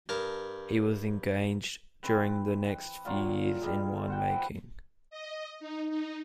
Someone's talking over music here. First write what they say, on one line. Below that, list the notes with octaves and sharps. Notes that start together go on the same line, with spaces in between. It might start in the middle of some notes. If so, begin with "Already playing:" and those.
He was engaged during the next few years in wine-making.
G2 A#4 A5
E3 C4 B4
A#2 D#3 F#3 F4
G3 G#3
C5 F#5 G5
E3 B4
D#5
D#4
D#4